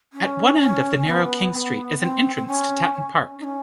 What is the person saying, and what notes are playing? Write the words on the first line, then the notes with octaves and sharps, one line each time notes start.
At one end of the narrow King Street is an entrance to Tatton Park.
C#4
C#4
B3
C4
B3
C4
C4
C#4
C#4
D#4
C#4